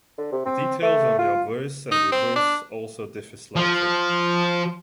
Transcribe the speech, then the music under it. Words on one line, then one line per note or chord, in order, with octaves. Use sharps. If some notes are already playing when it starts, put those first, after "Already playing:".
The details on the obverse and reverse also differ slightly.
D3
C3
C4
A3
F4
D#4
C4
D4
F3